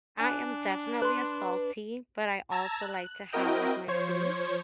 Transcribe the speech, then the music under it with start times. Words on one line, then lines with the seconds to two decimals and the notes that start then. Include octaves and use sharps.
I am definitely a salty, but I also like to have, like, my sweets,
0.20 D4 G#5 F#6
1.02 B4 C6 F#6
2.52 A5 A#5 E6 G#6 A#6
2.82 F#6
3.32 C4 E4 F#4 A#4 D#5 G5
3.88 F3 C5 C#5 G#6 C#7